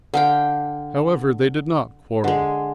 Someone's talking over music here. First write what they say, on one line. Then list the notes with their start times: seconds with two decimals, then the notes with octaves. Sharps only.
However, they did not quarrel.
0.14 D3 F5 G5
2.24 D3 G#3